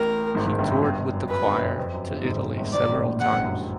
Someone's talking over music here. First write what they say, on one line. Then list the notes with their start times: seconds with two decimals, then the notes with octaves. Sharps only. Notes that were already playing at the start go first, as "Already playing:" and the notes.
He toured with the choir to Italy several times.
Already playing: A1 A2 A#4
0.35 G#1 G#2
0.46 G#1 G#2
0.58 G1 G2
0.70 F#2
0.82 G1 G2
0.98 G1 G2
1.13 F#2
1.29 F#2 B4
1.45 G1 G2
1.62 F#2
1.78 F2
1.94 F#2
2.09 G1 G2
2.24 G#1 G#2
2.57 G1 G2
2.72 G#1 G#2 D5
2.89 A1 A2
3.05 A#1 A#2
3.20 A1 A2 F#5
3.32 G1 G2
3.44 F#2